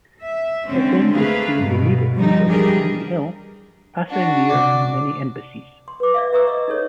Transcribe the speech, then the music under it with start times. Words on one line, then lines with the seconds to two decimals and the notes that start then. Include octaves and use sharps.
It then goes through the neighbourhood of Sandy Hill, passing near many embassies.
0.23 E5
0.68 D3 G#3 C4 C#4
1.14 A3 A#3 G#4 B4 F5
1.58 G2 B2
2.15 F3 G3 D#4
2.47 E3 G3 D4 G4 G#4 A#4
4.08 D4 F#4
4.49 C3 D5
5.88 C6
6.00 B4 D6
6.14 D5 E5 F5
6.33 B4 E5 A#5 C#6 D#6 E6
6.47 C5 D#5
6.68 D#4 A4 C#5